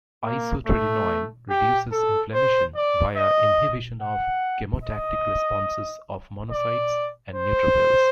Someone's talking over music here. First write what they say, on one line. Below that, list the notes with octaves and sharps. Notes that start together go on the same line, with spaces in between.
Isotretinoin reduces inflammation via inhibition of chemotactic responses of monocytes and neutrophils.
A#3
A3
G4
A4
C5
D5
D#5
F#5
D#5
D5
C5